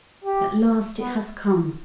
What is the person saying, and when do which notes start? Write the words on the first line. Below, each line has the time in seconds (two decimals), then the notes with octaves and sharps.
"At last, it has come!"
0.24 G4
0.99 B3